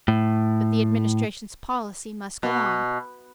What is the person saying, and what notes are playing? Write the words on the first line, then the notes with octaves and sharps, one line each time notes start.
But the Administration's policy must go on.
A2
B2